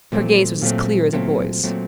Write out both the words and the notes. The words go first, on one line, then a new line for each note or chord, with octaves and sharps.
Her gaze was as clear as a boy's.
A#2 F#3 A3 C4
A#2 F#3 A3 C4
A#2 F#3 A3 C4
A#2 F#3 A3 C4